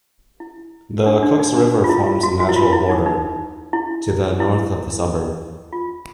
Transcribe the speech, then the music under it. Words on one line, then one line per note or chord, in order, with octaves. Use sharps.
The Cooks River forms a natural border, to the north of the suburb.
E4
D4
D4
D#4
D4
F4
E4
F4
F#4
F#4
E4
F4
E4
D#4
D#4
E4
E4
F4